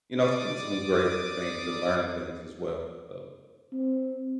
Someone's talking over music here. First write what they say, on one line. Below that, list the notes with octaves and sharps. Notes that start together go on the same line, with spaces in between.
you know, it's been some great things and learning things as well, so
D5 D6 D#6
C4